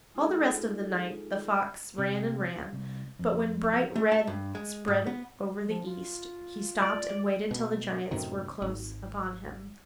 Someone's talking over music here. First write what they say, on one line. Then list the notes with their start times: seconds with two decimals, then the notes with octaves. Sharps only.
All the rest of the night the fox ran and ran; but when bright red spread over the east, he stopped and waited till the giants were close upon him.
0.14 G#3 D#4 F4 G#4 A4
1.98 C3
2.45 F4
2.73 C2
3.19 F2
3.73 F3
3.96 A3
4.12 A5
4.27 G2
4.55 G#3
4.88 G#2
5.07 B3
5.67 F3
5.86 F4
6.82 D5
7.51 B2
8.11 F#2 A2 C3 D#3
8.62 G#1